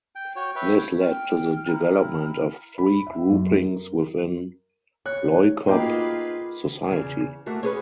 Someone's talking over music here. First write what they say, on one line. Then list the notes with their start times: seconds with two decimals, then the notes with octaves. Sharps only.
This led to the development of three groupings within Loikop society.
0.15 G5
0.36 F#4 C#5 G5
0.56 B4 C#5 E5 G5
1.01 G5 F6
1.66 E4 G5 A#5
2.78 B5
3.07 E5
3.29 F#2
3.61 A#4
5.06 C#5 F#6
5.68 A#3 D#4 F4 F#4 G#4 B4 G5 D6
6.88 E2 C#3
7.46 A3 A#3 F#4
7.63 C#4 G#4 B4